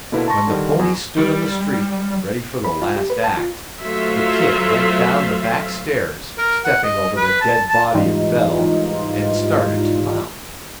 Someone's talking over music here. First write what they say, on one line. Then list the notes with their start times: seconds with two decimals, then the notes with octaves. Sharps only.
When the pony stood on the street, ready for the last act, the "Kid" went down the back stairs, stepping over the dead body of Bell, and started to mount.
0.12 B2 D3 A#3 E4 B4
0.28 A5 C6 C#6 A#6
0.47 D3 D#3 G3
0.79 E2
1.18 G3
2.65 B5
2.82 F4
2.96 G4
3.10 B4
3.24 A5
3.37 F4
3.80 F#3 A3 F4 C5 E5 F5
6.38 A#4
6.65 F#5
6.83 D#5
7.17 B4
7.41 A5
7.69 A5
7.94 G#2 E3 G3 D#4 F4